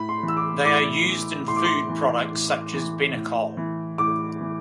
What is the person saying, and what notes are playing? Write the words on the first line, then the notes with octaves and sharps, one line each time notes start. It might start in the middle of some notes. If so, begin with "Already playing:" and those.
They are used in food products such as Benecol.
Already playing: A2 B5
C6
E3
E6
D6
A2 D6
E3
A2 C6
D6
C6
E3
A2
E3
A2
E3
A2 D6
E3